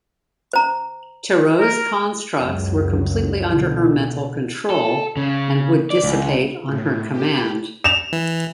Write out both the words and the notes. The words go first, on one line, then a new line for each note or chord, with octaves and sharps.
Tarot's constructs were completely under her mental control, and would dissipate on her command.
C5 A#5
A#4
C#2 F#2 C#3 F#3
B2 D3
A4
C#3
D5
C#2
A2
G4
E7 F7
E3